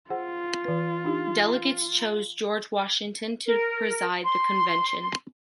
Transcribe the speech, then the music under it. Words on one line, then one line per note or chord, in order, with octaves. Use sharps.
Delegates chose George Washington to preside the Convention.
F4 G#4 C5 F#5
E3 B4
D4 D#4 G4
A#4
C6